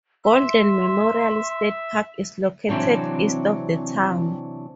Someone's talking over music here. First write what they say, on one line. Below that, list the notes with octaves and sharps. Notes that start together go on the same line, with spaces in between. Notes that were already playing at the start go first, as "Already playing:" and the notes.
Golden Memorial State Park is located east of the town.
E5 C6
C3 E3 F#3 C4 D4